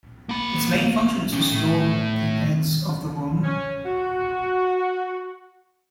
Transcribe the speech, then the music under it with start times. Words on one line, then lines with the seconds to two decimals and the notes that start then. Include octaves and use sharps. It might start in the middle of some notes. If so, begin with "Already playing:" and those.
Its main function is to store the eggs of the worm.
0.29 A#3 B5
1.32 C3 C#4
1.51 A2
3.43 C#4
3.85 F#4